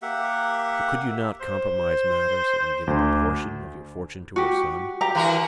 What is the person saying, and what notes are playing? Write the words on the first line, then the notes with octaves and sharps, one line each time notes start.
"But could you not compromise matters, and give up a portion of your fortune to her son?"
A#3 G4 E5 F#5
C5
D2
F#4 G4
G4 A#5
E3 F#4 A#4